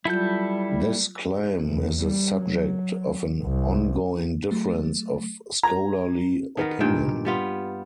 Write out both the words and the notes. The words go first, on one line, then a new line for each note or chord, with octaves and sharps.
This claim is the subject of an ongoing difference of scholarly opinion.
F#3 G3 E4 F4 A4 G6
E2
G3
F#3
C2
F#3 A3
A#5 G#6
D#3 B3 A#4
G2 A#2 D#3 G5
G3 B3 F4